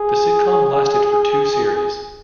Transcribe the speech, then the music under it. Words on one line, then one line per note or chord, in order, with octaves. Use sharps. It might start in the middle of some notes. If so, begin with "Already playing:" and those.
The sitcom lasted for two series.
Already playing: G#4